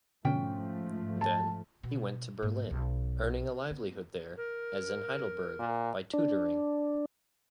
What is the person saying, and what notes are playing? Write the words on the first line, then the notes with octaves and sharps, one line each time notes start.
Then, he went to Berlin, earning a livelihood there, as in Heidelberg, by tutoring.
G#2 B2 D3 F3 A3 C#4 G5
A5
B2
G#2 A#3
B1
B3
A#4
A#2
D4